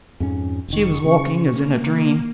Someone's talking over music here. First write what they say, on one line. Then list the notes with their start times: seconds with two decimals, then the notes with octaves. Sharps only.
She was walking as in a dream.
0.20 F2 G#2 C#4
0.68 F1 D#3 C#6
1.04 C#3 C4 C#4
1.46 A#3